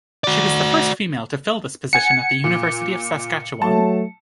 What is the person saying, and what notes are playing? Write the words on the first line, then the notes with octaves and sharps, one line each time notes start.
She was the first female to fill this position at the University of Saskatchewan.
F#4 D5
F#5 G#5 G#6 C#7
A#2
F#3 A3 A5